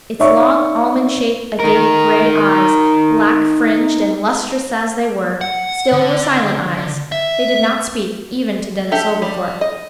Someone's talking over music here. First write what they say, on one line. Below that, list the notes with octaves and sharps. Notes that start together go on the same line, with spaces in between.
Its long almond-shaped, agate-gray eyes, black-fringed and lustrous as they were, still were silent eyes--they did not speak even to Denis Oglethorpe.
D#4 C#5 D5 E5 C#6
D#4 A#4
F#5
D3
E5
D4 G4 A4 E5
G3
D#5